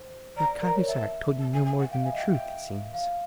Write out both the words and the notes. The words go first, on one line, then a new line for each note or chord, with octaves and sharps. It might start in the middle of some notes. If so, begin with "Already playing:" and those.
"Your Cahusac told you no more than the truth, it seems."
Already playing: C5
C5
D5 A#5
D5
A#4 A#5
C#5
E5 A5
A5
G#5
G#5
F#5
F5 G5
E5 G#5
D#5 G5
E5
G5
F5